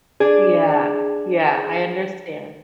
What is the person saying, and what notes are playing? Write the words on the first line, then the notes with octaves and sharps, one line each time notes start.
Yeah, yeah, I understand.
D4 G#4